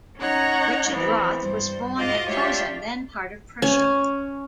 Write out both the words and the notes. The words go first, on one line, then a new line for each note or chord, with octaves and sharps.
Richard Rothe was born at Posen, then part of Prussia.
C#4 D#4 C#5 F#5 A#5
E3 F3 B3 C4
G2 C5
G#2 F4 F#4 D#5 D6
D4 F4 G4 C#5 E5
C#4